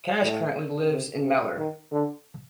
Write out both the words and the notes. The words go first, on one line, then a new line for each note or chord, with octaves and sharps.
Cash currently lives in Mellor.
A2
C3
C3
D#3
D3